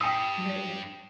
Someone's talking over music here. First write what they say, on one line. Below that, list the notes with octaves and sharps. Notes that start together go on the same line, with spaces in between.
Right, right.
G2 G5 D#6